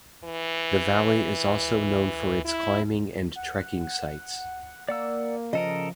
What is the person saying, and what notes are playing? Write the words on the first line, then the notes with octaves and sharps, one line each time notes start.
The valley is also known for its climbing and trekking sites.
E3
E4
F#5
A#3 D5 F#5 E6
C#3 F3 A4 A#4 D#5